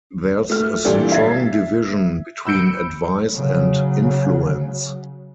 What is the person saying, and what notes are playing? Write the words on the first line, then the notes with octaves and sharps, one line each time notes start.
There's a strong division between advice and influence.
A3 F6
A#2 E3 G3 D4 G4 A4
E5 G#6 A6 C7
B5 E6 G6 C#7 D7
C#3 F#3